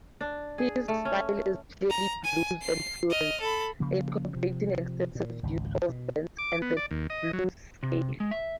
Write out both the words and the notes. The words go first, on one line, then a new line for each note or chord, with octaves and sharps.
His style is clearly blues-influenced, incorporating extensive use of bends, and the blues scale.
D4
G#4
A3
C#4
A#5
G#5
C7
D#5 F6
A4 B5
C#3 F3 A#3
C3 F3
A#2
G#1 C#2
B2
D6
B3
D5
D#2
D#5
F#3
C3
G#3
E5